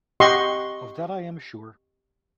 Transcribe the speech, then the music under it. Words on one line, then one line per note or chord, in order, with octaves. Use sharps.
Of that I am sure.
G4 D#5 F#5 C6 C#6